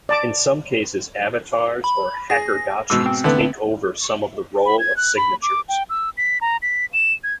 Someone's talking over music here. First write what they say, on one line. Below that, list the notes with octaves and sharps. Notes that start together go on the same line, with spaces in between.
In some cases avatars or hackergotchis take over some of the role of signatures.
D5 A5 D6
B5
G#4 A#6
G#2 B2 E6
C4
D3 A3 B3
B5
G#6
F#6
B5
D6
G5
E6
B6
A#5
B6
E7
G#6